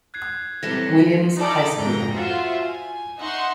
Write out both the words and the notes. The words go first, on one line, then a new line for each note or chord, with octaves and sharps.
Williams High School.
F#6 G#6 C7
C3 E3 F#3 G3 A4 A#6
D#4 E4 A4 D5 A#5 D6
F2 G#2 D3 G5 A#5
F4 F#4 C5 E5
G#5
D#4 E5 F#5 C6 C#6